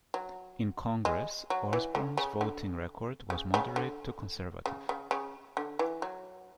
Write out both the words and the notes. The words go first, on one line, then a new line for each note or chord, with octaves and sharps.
In Congress, Osborne's voting record was moderate to conservative.
F#3
G#3
F#3
E3
D3
C#3
D3
C#3
C#3
D3
C#3
C#3
C#3
D3
E3
F#3